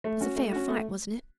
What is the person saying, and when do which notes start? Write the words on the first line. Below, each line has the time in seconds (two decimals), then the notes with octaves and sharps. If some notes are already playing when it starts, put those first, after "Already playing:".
It was a fair fight, wasn't it?'
0.04 A3
0.21 C#4 F#4
0.36 A3
0.53 C#4 F#4
0.68 A3